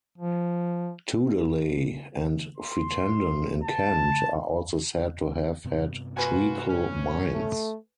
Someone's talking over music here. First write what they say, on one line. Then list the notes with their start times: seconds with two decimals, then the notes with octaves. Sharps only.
Tudeley and Frittenden in Kent are also said to have had treacle mines.
0.18 F3
2.57 C6
3.63 A5
5.65 G2 C3 B3
6.17 A#3 F4 F#4 B4 G#5
6.69 C#4
7.34 A3